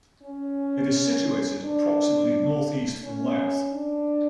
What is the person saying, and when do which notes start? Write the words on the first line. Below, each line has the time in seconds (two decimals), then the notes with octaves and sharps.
It is situated approximately north-east from Louth.
0.23 C#4
1.62 D4
3.03 C#4
3.72 D4